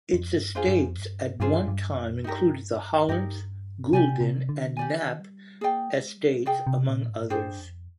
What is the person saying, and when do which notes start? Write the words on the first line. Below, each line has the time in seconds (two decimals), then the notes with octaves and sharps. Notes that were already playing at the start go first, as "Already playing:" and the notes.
Its estates at one time included the Hollins, Gulden, and Knapp estates, among others.
0.13 F2
0.34 G2
0.55 F2 D4 F4 G#4 C5
0.68 G2
0.82 F2
0.98 G2
1.40 G2 D4 F4 G#4 C5
1.62 F2
1.68 G2
1.97 F2
2.24 G2 D#4 G4 A#4
3.09 G2 D#4 G4 A#4
3.93 C3 G4 D5 G#5
4.21 C3
4.49 D3
4.77 D#3 G4 D5 G#5
4.88 D3
5.00 D#3
5.20 G3
5.61 A#3 G#4 D5 G5
5.89 G#3
6.17 G3
6.46 C3 G#4 D5 G5
6.67 C3
6.88 A#2
7.09 G#2
7.30 G2 D4 G#4 C5 G5
7.59 F2